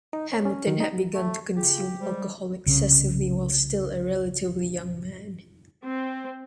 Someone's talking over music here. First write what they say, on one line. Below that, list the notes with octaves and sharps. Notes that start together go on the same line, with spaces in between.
Hamilton had begun to consume alcohol excessively while still a relatively young man.
D#4
C#5
C#4
D#3
D#4
A3
C#3 F4 G4 G#4
G3 G#3 C5
C2 C#3
C4